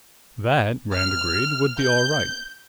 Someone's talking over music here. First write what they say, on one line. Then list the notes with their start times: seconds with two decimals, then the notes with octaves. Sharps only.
That, Rand agreed, would be all right.
0.93 F6
1.79 G6